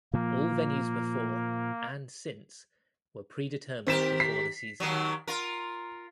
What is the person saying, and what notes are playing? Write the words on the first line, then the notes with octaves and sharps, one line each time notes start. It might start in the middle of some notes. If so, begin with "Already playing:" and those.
All venues before, and since, were predetermined before the season.
A#2 F3 A#3
D#3 C4 G4 A#4 B6 E7
B6 C7
D#2 D#3 F#3
F4 A#4